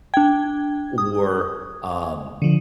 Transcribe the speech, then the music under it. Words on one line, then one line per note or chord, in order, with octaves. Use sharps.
or, um,
D4 G5 G#6
D#6
D3 F3